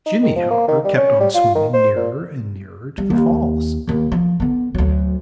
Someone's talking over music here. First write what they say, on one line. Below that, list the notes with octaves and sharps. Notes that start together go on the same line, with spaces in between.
Jimmie, however, kept on swimming nearer and nearer to the falls.
D#4
D#3
F3
A#3
D#3
G3
C#4
G3
F4
D#3
C5
A#2
G3
D#2
D#2 D#3
F3
D3 B3
D2 F#3